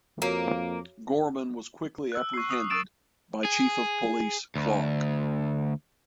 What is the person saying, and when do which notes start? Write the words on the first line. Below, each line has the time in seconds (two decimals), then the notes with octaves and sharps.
Gorman was quickly apprehended by Chief of Police Clark.
0.22 F2 A#3 F#4 C#5
2.12 E6 F#6
2.34 C#6 C7
2.50 D#6
2.70 C#6 D#6 E6 A6 D7 E7
3.45 G#4
4.55 D2